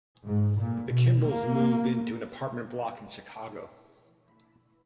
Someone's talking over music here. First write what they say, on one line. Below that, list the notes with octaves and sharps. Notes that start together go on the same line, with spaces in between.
The Kimbles move into an apartment block in Chicago.
G#2
A#2
B2
A#3